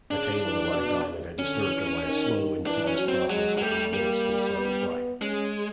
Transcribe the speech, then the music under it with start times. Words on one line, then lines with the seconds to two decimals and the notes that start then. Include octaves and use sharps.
The tale of the Black Diamond had disturbed her by a slow, insidious process that was worse than sudden fright.
0.11 C#3 D4
0.43 E3
0.75 B2
1.39 D3 C#4
1.71 E3
2.03 D#3
2.67 E3 D4
2.87 C#4
2.99 F#3
3.08 C4
3.30 F#3 G#3
3.58 F#3
3.61 G3 A3
3.93 G3 A#3
4.57 B3
5.21 G#3 C#4